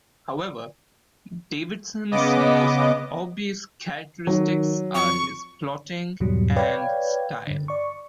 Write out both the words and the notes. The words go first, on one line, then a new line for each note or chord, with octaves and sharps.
However, Davidson's most obvious characteristics are his plotting and style.
C#3 B3 D#5 D6
D#3 F#3
F2 C#6
E2 G#2 B2 F#3 G3
B4 C#5 D5 F5 G5 G#6
G2 D3
D5 C#6